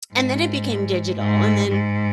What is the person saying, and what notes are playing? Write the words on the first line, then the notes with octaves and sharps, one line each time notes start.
and then it became digital and then,
G#2
G#2
G#2